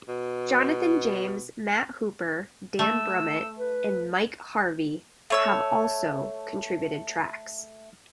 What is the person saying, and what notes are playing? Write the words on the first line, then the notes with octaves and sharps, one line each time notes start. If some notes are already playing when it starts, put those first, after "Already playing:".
Jonathan James, Matt Hooper, Dan Brummitt and Mike Harvie have also contributed tracks.
B2
A3 E6
B4
A3 C#5 E6